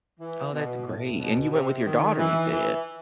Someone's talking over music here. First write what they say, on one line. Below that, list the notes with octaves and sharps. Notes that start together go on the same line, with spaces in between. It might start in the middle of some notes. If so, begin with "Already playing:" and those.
Oh, that's great, and you went with your daughter, you said?
E3
B2
A2
B2
C3
D#3
E3
E3